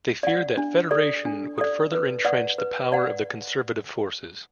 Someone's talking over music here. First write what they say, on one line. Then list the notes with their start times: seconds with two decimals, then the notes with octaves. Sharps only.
They feared that federation would further entrench the power of the conservative forces.
0.23 D5 F#5
0.57 D4
0.91 A4 D5
1.25 D4
1.58 A4 D5
1.92 B4
2.25 D5 F#5
2.58 B4
2.92 D5 F#5